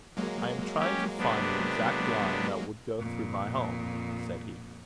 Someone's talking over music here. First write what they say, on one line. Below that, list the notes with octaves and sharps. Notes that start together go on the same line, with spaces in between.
"I am trying to find the exact line that would go through my home," said he.
F#3 G#3 A#3
C#4 G4
C3 B3 D4
F2 A#2